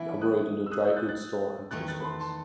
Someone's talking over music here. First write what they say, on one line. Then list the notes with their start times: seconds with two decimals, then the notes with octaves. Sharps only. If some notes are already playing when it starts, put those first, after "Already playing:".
He operated a dry goods store and post office.
Already playing: E3 B3 E4 B4
0.21 D#6 F#6
0.66 E6
0.71 D#6 F#6
0.84 E6 G6
0.96 F#6 A6
1.09 F#6 A6
1.71 E2 D#3 A3 F#6 A6
1.88 F#6 A6
2.00 B5
2.04 A5 C6
2.21 A5 C6